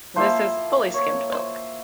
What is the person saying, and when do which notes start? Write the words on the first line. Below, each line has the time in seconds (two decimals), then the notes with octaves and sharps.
This is fully skimmed milk.
0.16 F3 A#3 E4 C5
0.94 C#5
1.32 C5